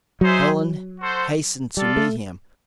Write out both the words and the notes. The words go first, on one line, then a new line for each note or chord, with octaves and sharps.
Helen hastened to meet him.
F#3 D#4 G#4 C5 E5
F#4 A4 C5
G3 F4 A4 D5
A3